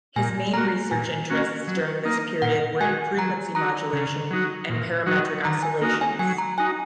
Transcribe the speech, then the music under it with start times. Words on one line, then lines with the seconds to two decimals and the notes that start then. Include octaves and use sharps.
His main research interests during this period were in frequency modulation and parametric oscillations.
0.16 A#2 G#5
0.53 A#3 F#4 A#5
0.91 A#2 G#5
1.30 A#3 C#4 F#4
1.68 F#3
2.05 A#3 D#4
2.42 A#2 F#5
2.80 G#3 F#4 G#5
3.17 F#3 A#5
3.55 D#4 F#4 A#5
3.93 C#3
4.31 F#3 D#4 F#4
4.69 A#2
5.06 F#3 D#4 F#4
5.45 D#3 A#5
5.63 G#5
5.81 A#3 D#4 F#4
6.01 G#5
6.19 F#3 G#5
6.38 A#5
6.58 D#4 F#4 G#5